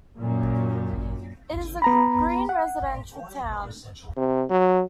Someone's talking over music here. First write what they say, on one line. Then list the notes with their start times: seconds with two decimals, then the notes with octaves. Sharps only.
It is a green residential town.
0.17 F#2 A#2
1.82 B3 A#5 B5
2.49 F#5
4.16 C3
4.50 F#3